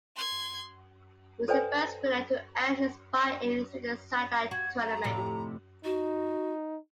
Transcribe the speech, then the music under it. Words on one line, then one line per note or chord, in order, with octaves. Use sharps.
He was the first winner to earn his buy-in through a satellite tournament.
C6 G#6
A4 B4 C5 D5 G5 G#5
F#4 G#6
A#5
F2 A2 C3
D#4 F#4